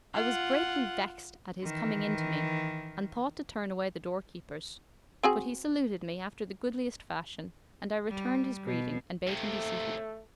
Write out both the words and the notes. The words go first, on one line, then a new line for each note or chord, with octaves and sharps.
I was greatly vexed at his coming in to me and thought to turn away the doorkeepers; but he saluted me after the goodliest fashion and I returned his greeting and bade him be seated.
F4 F#5
D#3 E3
C4 F#4 G#4
G3
B2
D#2 C3 A3